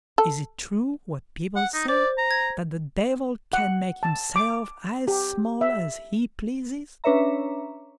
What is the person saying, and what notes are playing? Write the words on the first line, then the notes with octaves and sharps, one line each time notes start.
Is it true what people say, that the Devil can make himself as small as he pleases?'
A4
F#5
D#4
C5 D5
A#5
G#6
F#5
A5
D6
G4
E5
C#4 D4 B4 C#5 E5 A#5